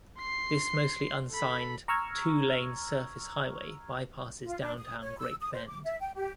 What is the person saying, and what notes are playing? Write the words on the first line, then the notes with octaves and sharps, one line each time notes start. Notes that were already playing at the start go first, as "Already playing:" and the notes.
This mostly unsigned, two-lane surface highway bypasses downtown Great Bend.
C6 C7
A4 B5
A#5 C#6 E6 F6 G#6
F4
D4
D#6
C#5
E6
D#6
C5
D6
E5
G5
G4